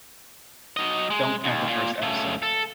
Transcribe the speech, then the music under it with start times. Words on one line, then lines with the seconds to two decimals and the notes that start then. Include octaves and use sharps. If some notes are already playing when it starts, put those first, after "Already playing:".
Don't count the first episode.
0.77 F#3 D#5
1.10 G#3
1.44 D#2
1.69 A#2
2.02 C#3 A3
2.43 A4